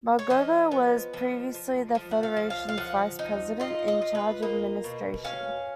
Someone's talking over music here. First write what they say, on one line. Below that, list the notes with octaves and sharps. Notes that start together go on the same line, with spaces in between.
Magogo was previously the Federation's Vice President, in charge of administration.
C#5
F3 D#5
B3
F3
F3
F3
F#5
F5
F3
F5
F5
F3 F#5
D#4
F4 D#5
D#5
F4
B4
A#3 D#5
B2
C#4 F5